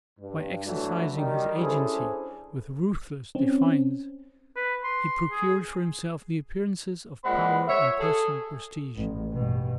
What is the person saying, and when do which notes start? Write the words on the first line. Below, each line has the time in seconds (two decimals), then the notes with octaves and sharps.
By exercising his agency with ruthless defiance he procured for himself the appearances of power and personal prestige.
0.19 G2
0.65 E3 F#3 A3 D4 F#4
1.15 D#3 G3
1.57 C#4 D4 E4 G#4 A4 C5
3.35 C4 C#4
4.57 B4
4.84 C6
5.31 G#4
7.25 A#2 G#3 C4 F#5 B5
7.68 C#5 E5
8.00 G#4 A4
8.97 A1
9.33 G2 B2